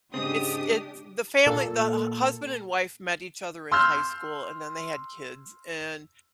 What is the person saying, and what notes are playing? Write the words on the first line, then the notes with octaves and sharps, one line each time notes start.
it's it's the family the hu husband and wife met each other in high school and then they had kids, and,
G#2 C#3 C4 D4 G4 D#6
A#2 A4
C6 E6 F6 G6